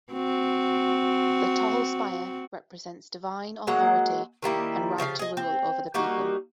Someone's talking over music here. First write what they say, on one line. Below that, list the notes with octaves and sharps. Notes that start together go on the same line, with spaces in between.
The tall spire represents divine authority and right to rule over the people.
C4 F#4
F#3 G#3 A#3 F#5
D#3 G3 A#3 E4
C#3 F3 C5 F5
G#4 D#5
C4
G3 A#3 D#4 F#4